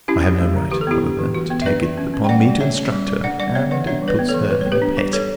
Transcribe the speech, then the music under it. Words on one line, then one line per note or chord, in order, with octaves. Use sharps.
I have no right, however, to take it upon me to instruct her, and it puts her in a pet.
C#4 E4 G4
F#3
A3
D3
E3 G4
A4
B3 E4 G4
D4
E3
E3 F#4
B3
E5
D4 B4 D5
E3
C#4
C#4
G5
G3 D5 F#5
G3 D5
C#4 C#5 E5
C#4
G3
G3
D4 D5 F#5
G3 D5 F#5
B3 C#5 E5
E3 D5 F#5
D4 C#5 E5
G3
B4 D5
B3
A4 C#5
E3
G3 B4
B3 C#5
G4 B4
D4
G3
G3 A4 C#5